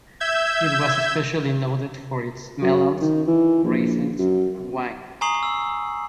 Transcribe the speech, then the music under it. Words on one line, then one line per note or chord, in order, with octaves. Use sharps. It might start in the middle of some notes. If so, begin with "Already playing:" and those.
It was especially noted for its melons, raisins and wine.
E5 E6 G6 G#6
F#2
D#3
E3
A#1
F#2
G#5 A#5 C#6 D#6 C7 F#7
E6